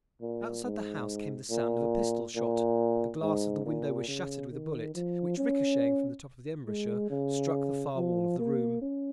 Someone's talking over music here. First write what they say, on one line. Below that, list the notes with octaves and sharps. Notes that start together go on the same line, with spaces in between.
Outside the house came the sound of a pistol-shot; the glass of the window was shattered with a bullet, which, ricochetting from the top of the embrasure, struck the far wall of the room.
A#2
G#2
A#2
A#2
G#2
A#2
C#3
D#3
F3
C#4
G#3
C#3
F3
A#3
C#4